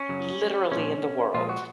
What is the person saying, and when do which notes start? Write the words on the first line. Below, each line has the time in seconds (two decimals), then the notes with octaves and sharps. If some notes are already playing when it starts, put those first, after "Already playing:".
literally in the world.
Already playing: C#4
0.09 F#2 C#3 F#3
0.72 A#2 F3 G#3 C#4
1.34 A#2 F3 G#3 F4
1.49 F#4